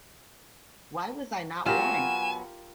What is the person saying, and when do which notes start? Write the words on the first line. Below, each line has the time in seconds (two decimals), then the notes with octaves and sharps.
Why was I not warned?
1.66 F#3 B3 F4 G4 A#4 G#5 E7